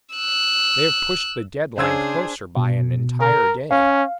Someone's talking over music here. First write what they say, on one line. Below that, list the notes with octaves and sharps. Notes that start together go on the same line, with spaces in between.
They have pushed the deadline closer by an entire day.
E6 F#6
C#3 D4 G#4 C5 E6 G#6
B2
A#4
C#4 F5